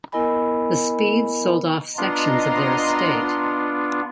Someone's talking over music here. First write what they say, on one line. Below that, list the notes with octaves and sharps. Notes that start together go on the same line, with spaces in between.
The Speeds sold off sections of their estate.
B3 E4 A#4 D#5 G#5 B5
B3 D4 F4 D#5 A#5 C6